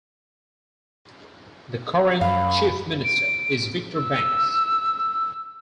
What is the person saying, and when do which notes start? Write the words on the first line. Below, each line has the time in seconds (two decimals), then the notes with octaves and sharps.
The current Chief Minister is Victor Banks.
2.21 F#2 F5 B5
3.04 D7
3.95 E6